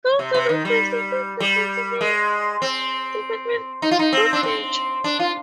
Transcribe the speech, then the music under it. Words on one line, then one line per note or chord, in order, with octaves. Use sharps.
Gods are not restricted to definite departments of nature.
C3
C3
D#3
G3
G3
G#3
C4
D#4
F4
D#4
C4
D4
C4
D4
F4